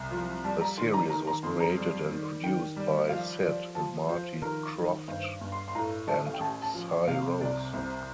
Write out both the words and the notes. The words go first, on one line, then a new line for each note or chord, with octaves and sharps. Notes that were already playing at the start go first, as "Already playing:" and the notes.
The series was created and produced by Sid and Marty Krofft and Si Rose.
Already playing: C2
F3
G3 A5
A#5
D#3 C6
A#5
D#3 A#5
A#5
F2 C6
A#5
G3
D#3
D#3 G5
G3
F3 F5
F3 D5
F3 A5
F3 C5
D#3 A#4
D#3
G2 C5
G2
C6
C6
A2 A#5
A1 A5
F5
G5
A1 A5
A5
F3
C3 F5
C2 D5
C2 C5